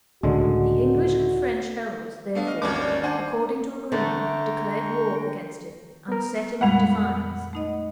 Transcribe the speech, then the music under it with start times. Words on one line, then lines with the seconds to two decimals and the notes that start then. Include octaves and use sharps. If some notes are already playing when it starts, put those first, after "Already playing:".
The English and French heralds, therefore, according to agreement, declared war against him, and set him at defiance.
0.23 C#2 A2 D3 G#3 F#4
2.35 A3 B3 D4 F5
2.47 D#5 F6
2.62 G#1 D#2 C#4 D5 D6
2.80 D5
3.03 D4 C5 F#5 G#5
3.92 D3 A3 G5 A#5 C#6
6.08 B3 A#4
6.61 F2 A#2 G3 G#3 F#5 B5 F7
7.53 A3 D#4 D#5